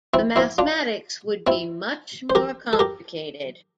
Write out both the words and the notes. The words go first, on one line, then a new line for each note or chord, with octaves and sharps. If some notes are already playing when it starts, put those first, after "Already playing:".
The mathematics would be much more complicated.
C4 E4
C4 E4
D4 F4
C4 E4
C5
G4 A#4
A4
G4 A#4